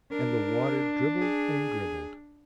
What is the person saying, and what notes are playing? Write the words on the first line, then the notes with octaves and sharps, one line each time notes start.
And the water dribbled and dribbled.
D4 A#4
G#4